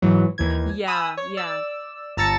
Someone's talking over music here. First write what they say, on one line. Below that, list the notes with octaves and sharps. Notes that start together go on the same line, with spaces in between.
Yeah, yeah.
G#2 E3 F#3
D#2 E3 G#6
G#5 B5 D#6 E6
C#5
D5 E6
G1 A5 A#5 E6 A6 C#7